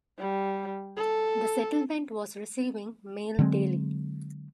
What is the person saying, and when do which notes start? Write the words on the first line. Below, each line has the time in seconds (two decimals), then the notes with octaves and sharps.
The settlement was receiving mail daily.
0.19 G3
0.97 A4
3.39 D3 F#3 G#3 C4